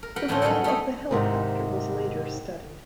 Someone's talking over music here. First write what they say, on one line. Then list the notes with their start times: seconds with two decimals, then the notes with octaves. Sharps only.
The role of the helicopter was later studied.
0.03 A#4
0.16 A#4 B4 F#5 G5
0.28 F2 A2 D3 F3 E4 F4
0.42 F#3 G3 C#4 D#4 A4 F#5
0.64 A3 D#4 E4 G#4
1.11 G#2 C3 D#3